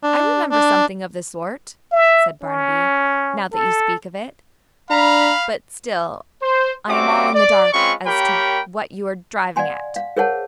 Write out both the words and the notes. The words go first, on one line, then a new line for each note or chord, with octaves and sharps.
"I remember something of the sort," said Barnaby, "now that you speak of it, but still I am all in the dark as to what you are driving at."
D4
D4
E5
C#4
A4
D4 F5 A#5 B5
C5
G3 C4 C#4 F#4 E5 D6
D5
G#3 C4 C#4 F4 B5 C#6
A#3 G4 A#4 C#5 G5 B5
D5 F5 F#5 G#5 C6
F5
G#4 A#4 C5 C#5 F#5 A5